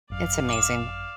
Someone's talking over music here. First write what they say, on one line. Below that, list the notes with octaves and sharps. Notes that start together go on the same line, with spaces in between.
It's amazing.
G#1 F#2 D5 F5
D6 F6 E7